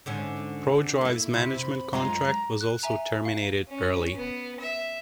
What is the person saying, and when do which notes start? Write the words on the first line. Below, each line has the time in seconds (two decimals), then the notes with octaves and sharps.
Prodrive's management contract was also terminated early.
0.06 G#2 D3 C#4
1.01 A#3 E4
1.34 C3 E4
1.62 B5
1.93 F#2 G#3 F4 A#5
2.61 F#6
2.83 E5 G#5 A#5
3.25 F5
3.69 C#4
4.15 B3
4.60 E5